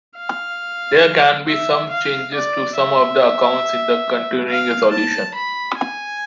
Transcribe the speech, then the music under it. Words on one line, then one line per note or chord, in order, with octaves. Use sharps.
There can be some changes to some of the accounts in a continuing resolution.
F5
E5
F5
D5
E5
F5
A5
B5
G#5